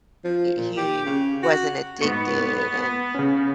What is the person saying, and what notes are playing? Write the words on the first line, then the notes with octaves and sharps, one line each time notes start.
he wasn't addicted and
F3
A#2
G4
C#3
F#4
G#2 B3 C#6 C#7
C#3 C#4